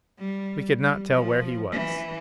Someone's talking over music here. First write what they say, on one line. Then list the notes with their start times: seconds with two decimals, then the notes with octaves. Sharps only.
We could not tell where he was.
0.18 G3
0.79 G3
1.11 F3
1.72 E3